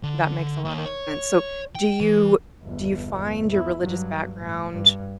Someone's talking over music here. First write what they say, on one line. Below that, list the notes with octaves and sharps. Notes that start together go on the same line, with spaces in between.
that makes a lot of sense. So, do you do you find your religious background,
D3
D#2
C#5
G5
E3
G1 E2
E2 E4
G2 F#3
A2
G2